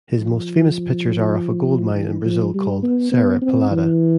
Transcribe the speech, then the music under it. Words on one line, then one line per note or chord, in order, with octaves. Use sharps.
His most famous pictures are of a gold mine in Brazil called Serra Pelada.
F3
E3
F3
G3
B3
B3
C4
E3